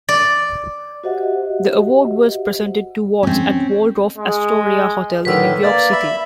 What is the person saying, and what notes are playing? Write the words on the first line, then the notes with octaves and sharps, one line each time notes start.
The award was presented to Watts at the Waldorf-Astoria Hotel in New York City.
D5
F#4 G4 C5 D#5 E5 F#5
C4 C#4
G#3
A2 D3 D#3 B4 E6
A#3 D5
E5 B5